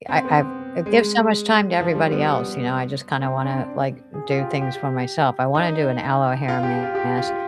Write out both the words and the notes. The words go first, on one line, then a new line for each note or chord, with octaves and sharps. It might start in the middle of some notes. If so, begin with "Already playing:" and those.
I I've I give so much time to everybody else, you know? I just kinda wanna, like, do things for myself. I wanna do an aloe hair mask.
C4
B3
G#3
F3
G3
B3
B3
C4
D4
G#4
F4
G4
G4
D#4
F4
G4
F4
G4
F4